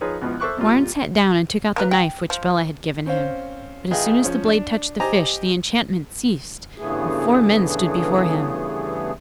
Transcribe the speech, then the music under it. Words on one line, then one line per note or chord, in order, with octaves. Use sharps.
Houarn sat down and took out the knife which Bellah had given him, but as soon as the blade touched the fish the enchantment ceased, and four men stood before him.
F3 D#4 F4 G#4 B4 C#5
C#2 B2 F3 E4
A4 C5 E5 C#6 D6 F#6
F2 A#2 G3 F4
A#3 A#4 B4
G5
F3
C4 C#4 C5 F5
A1 F4 G#4 D#5 G5
F3 C#4
D4
G4 C5 D#5 G#5 A#5 D6
G2 C#3 E3 A3 B3 G#4